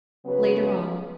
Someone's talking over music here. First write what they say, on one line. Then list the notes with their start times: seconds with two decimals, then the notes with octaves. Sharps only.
"Later on."
0.24 C#3 F#3 B3 F#4 B4